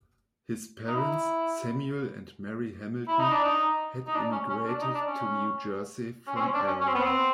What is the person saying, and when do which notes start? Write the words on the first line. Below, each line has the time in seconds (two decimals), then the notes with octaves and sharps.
His parents, Samuel and Mary Hamilton, had immigrated to New Jersey from Ireland.
0.87 D#4
0.96 E4
3.08 E4
3.20 D#4
3.32 D4
3.44 D#4
4.07 D#4
4.15 D4
4.32 C#4
4.50 C#4
4.68 D4
4.82 D#4
4.95 D4
5.08 C#4
6.27 C#4
6.36 C4
6.40 C#4
6.54 D4
6.67 C#4
6.81 C#4
6.88 C4
6.95 B3
7.03 C4